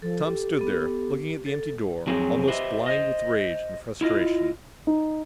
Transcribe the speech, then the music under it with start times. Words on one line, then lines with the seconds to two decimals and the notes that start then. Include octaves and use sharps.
Tom stood there, looking at the empty door, almost blind with rage and frustration.
0.02 F3 A4
0.26 G4
0.59 B3 A4
1.46 A4
2.07 F2 F#3 C4 G#4
2.47 G4 B4 C5 D#5 E5
2.86 C5 D#5
4.01 E4 F4 D#5
4.87 D#4